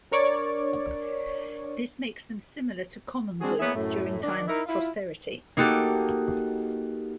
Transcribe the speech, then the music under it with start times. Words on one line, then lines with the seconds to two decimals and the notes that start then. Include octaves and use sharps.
This makes them similar to common goods during times of prosperity.
0.11 D4 A#4 C#5 D5 C#6
3.41 G#3 C4 D4 F#4 G#4
3.60 A#3 B3 E4 G#4 C#5 E5
3.75 F#2 A2 A3
4.23 D#3 D4
4.48 D#4 E4 A#4
4.66 E4 F4
5.57 A#3 D#4 F#4 G4 A4